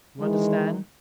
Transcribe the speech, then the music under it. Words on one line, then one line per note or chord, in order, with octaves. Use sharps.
You understand?
D#3 E3 G#3